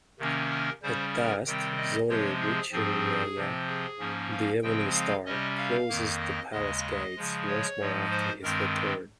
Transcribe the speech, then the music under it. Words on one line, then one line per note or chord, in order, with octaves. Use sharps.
At dusk, Zorya Vechernyaya—the Evening Star—closes the palace gates once more after his return.
C3 D#3 A#3 C#4
A#4
C#3 G3 C#4 C5
A#4
C3 D#3 G3 C4 G5
D#5
C3 F3 G#3 C4 C#5
G#4
G#2 F3 C4 G#4
C3 F3 C4
G#4
G#2 F3 A#3 C#4
F5
C#3 F3 G#3 C4 G5
F5
C3 G3 C#4 D#5
F5
F2 D#3 A#3
D#5
D#2 C#3 G#3 D#5
C#3 F3 G#3
C#5
G#2 F3 G#3
C5
G2 D#3 G#3 C4 A#4